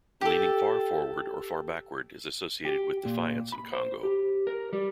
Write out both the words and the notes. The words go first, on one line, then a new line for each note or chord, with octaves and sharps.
Leaning far forward or far backward is associated with defiance in Kongo.
G4 A4
G4
A#2
B5
C5
G4
A#4
G3